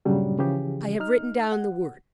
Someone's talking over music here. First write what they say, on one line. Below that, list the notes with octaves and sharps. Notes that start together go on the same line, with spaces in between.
I have written down the words.
G2 A#2 C#3 F#3 G3 D4
C#3 E3 F3 G4 G#4
D#4 F6
F#5